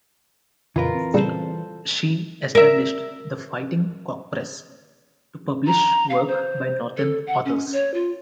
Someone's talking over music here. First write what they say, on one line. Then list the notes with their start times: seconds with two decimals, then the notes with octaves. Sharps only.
She established the Fighting Cock Press to publish work by northern authors.
0.76 F2 A#2 C#3 E3 F4 A#4 B4
0.95 C4
1.14 A#2 C#3 G3 A4 C5
2.55 A#4 E5
5.67 A#5
6.10 F5
6.28 C5
6.97 A4
7.27 F#5
7.45 C#4
7.73 C#5
7.94 F4